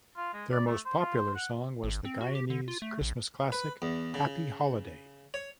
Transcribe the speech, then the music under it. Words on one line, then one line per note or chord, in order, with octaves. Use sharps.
Their most popular song was the Guyanese Christmas classic "Happy Holiday".
F4
G#3
D5
A3
C5
F4
C5
F#5
G#1
C4
F#4
G4
D3
F4
A3
A#1
B4
E2
C#3
C#5